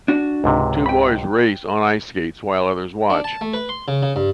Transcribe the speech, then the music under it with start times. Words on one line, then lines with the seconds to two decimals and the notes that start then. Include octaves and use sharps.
Two boys race on ice skates while others watch.
0.08 D4 F#4
0.44 C#2 G#2 C3
0.86 G5 B5
3.10 D4
3.24 A5
3.41 A3
3.53 B4
3.69 C6
3.88 C#3
4.03 C#3
4.16 G2